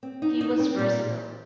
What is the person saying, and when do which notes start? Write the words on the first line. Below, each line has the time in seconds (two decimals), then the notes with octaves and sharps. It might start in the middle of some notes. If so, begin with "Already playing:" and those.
He was versatile.
0.03 C4
0.22 D#4
0.41 D#4
0.59 C4
0.78 A#2